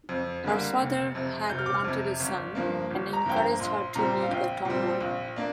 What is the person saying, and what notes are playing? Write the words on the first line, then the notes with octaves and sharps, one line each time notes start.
Her father had wanted a son, and encouraged her to be a tomboy.
F2
D3 G3 A#3
F1
F2 C3
F1 G6
F6
D6
F6
F2 C3
G1
G2 F3 A#3
G1
A#5
G2 F3 A#3 G5
A#5
A#1 C6
A#2 G3 C4 A#5
F5
A#1 G5
A#2 G3 C4
A#1
A#3 D4